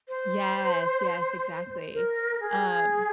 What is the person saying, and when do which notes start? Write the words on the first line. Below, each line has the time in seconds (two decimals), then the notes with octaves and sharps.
Yes, yes, exactly. Um,
0.08 C5
1.94 A#4
2.40 G#4